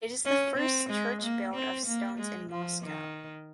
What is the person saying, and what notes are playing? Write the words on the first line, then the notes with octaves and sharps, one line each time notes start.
It is the first church build of stones in Moscow.
C#4
C4
G#3
A#3
C4
A#3
G#3
F3
D#3